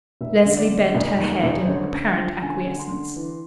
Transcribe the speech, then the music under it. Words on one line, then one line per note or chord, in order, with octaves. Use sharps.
Leslie bent her head in apparent acquiescence.
F1 E5
D3
D5
D3
F1 D5
D#2
F1
C5
D3 C#5
D3
G5
F3
D3 G#5
D3
C6
D3
E3